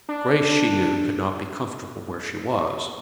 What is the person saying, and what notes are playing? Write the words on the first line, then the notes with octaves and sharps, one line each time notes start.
Grace, she knew, could not be comfortable where she was.
D4